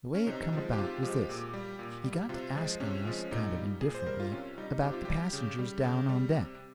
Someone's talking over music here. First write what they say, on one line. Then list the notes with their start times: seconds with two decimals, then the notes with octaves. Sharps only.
The way it come about was this: He got to asking us, kind of indifferent like, about the passengers down on deck.
0.15 C#4
0.27 C3 D#4
0.53 F3 G#3
0.73 G4
0.77 C3 F4
1.03 F3 G#3 G4
1.29 A#2
1.53 G3
1.79 A#2
2.04 G3
2.29 C3 F4
2.55 F3 G#3
2.80 C3 C#4
3.05 F3 G#3
3.31 A#2 D#4
3.56 G3
3.81 A#2 G#4
3.95 C5
4.06 G3 A#4
4.20 F4
4.32 C3 C#4
4.58 G3 D#4
4.83 C3 G4
4.93 F4
5.05 G3 G4
5.33 C#3
5.59 G3
5.84 C#3
6.09 G3
6.35 C3